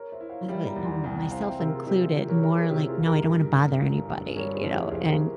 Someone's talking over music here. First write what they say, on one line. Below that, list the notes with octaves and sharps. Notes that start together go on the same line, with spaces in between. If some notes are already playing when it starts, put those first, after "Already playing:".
uh, I I wouldn't myself included, more like, "No, I don't wanna bother anybody," you know, and
Already playing: A#4 C#5
C5 E5
E4
C#5 F5
G3 E5 G5
G5 A#5
E2
G#5 C6
C2 G5 A#5
G5 A#5
C4 F5 G#5
E5 G5
C3 G4 A#4
A#4
F4 G#4
C3 E4 G4
F4 G#4
E3 G4 A#4
A#4 C#5
E3 G4 A#4
F4 G#4
C3 E4 G4
F4 G#4
E1
G4 A#4
G2
G2
G1
G1
G3 A#4 C#5
G#4 C5
F2
E4 G4
F1 G#4 C5
G4 A#4